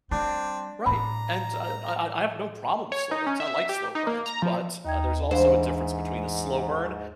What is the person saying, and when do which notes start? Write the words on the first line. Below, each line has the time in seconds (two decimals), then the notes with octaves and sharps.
Right. And I I I have no problem with slow burns, I like slow burns. But, uh, there's also a difference between a slow burn
0.11 G3 C4 D4
0.86 A2 G3 A#5 B5
2.92 C#5
3.11 D#4
3.26 C#4
3.40 E5
3.69 G4
3.95 D#4
4.07 A#3
4.26 A#5
4.42 F3
4.85 D#2 D#4 G5 G#6
5.31 G#2 E3 D4 C5 F5